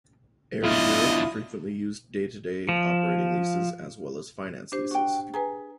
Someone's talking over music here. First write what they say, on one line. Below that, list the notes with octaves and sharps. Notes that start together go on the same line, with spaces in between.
Air Europe frequently used day-to-day operating leases as well as finance leases.
B1 D3 E4 F4 D#5
F3
D4 G4 C5
F#4 G5
G#4 B4 G#5 A#5